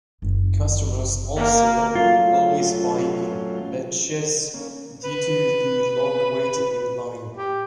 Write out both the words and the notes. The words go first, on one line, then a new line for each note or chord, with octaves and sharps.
Customers also always buy in batches due to the long wait in line.
F#1
A#3
F#3 A3 C#4 F4
A#3 C#4
B4
G4